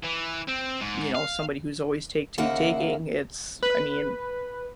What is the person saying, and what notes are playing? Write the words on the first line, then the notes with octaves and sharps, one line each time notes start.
you know, somebody who's always take, take, taking, it's I mean,
E3
C4
G#2
F5
D#2 C#3 A#3 E4 F#5
B4